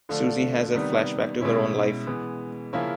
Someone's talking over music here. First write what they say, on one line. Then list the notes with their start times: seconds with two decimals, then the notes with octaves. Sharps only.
Susie has a flashback to her own life.
0.09 D3 F3 A3 D4
0.75 C3 D#3 G3 B3
1.41 B2 G#3 C#4 E4
2.07 E3 G#3 B3
2.73 C#3 F3 A#3 C#4 E4